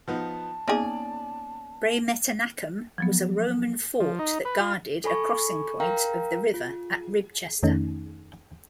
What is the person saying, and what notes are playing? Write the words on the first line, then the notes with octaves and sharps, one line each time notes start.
Bremetennacum was a Roman fort that guarded a crossing-point of the river at Ribchester.
F3 B3 D#4 A5
C#3 A#3 B3 D#4 G#4 D5
F3 F#3 B3
F3
D#4
B4
F4
A4 G#5 B5 C#6
A#4 F5 G5 A#5
F4
F2 D#3 A3 C#4 D#4